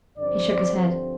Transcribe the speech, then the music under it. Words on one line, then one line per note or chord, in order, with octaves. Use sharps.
He shook his head.
G2 D3 F3 C4 D5